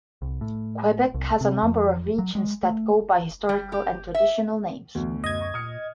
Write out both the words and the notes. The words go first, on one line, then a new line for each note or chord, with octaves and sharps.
Quebec has a number of regions that go by historical and traditional names.
C2
A2
C2
C3
F2
F#3
G#3
A3
G3
G4
E5
D2 B2 E3
F#2 D#5 G#6
C#6
A#2 D#6 F6 C#7